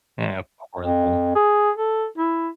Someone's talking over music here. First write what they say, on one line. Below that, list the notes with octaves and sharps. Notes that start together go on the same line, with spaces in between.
and portable.
F2
G#4
A4
E4